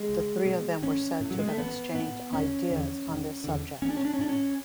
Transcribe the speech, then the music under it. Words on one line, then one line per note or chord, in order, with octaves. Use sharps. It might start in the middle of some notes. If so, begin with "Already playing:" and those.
The three of them were said to have exchanged ideas on this subject.
Already playing: G#3
C#2
B2
A1 C#4
A2
F#3
G#3
A3
A1 B3
A2 B3
E1 C#4
E2 D3
E1
E2 D3
A1 C#4
D4
C#4
D4
C#4
A2 D4
C#4